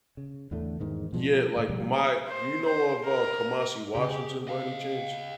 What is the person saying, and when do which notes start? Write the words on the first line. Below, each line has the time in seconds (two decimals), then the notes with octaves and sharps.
Yeah, like, my do you know of, uh, Kamasi Washington by any chance?
0.17 C#3
0.51 E2 A2 D3 A3
0.80 E2 G#2 D#3
1.13 B2 F3 G#3 D4
1.56 A2 D3 A#3
1.70 B2 F3 G3 A#3
2.28 C5
2.65 C5
3.04 A#4
3.95 C#3 G4 G#4
4.48 D#5 F5